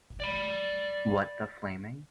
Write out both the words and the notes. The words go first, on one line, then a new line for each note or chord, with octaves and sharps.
What the flaming.
D5 B5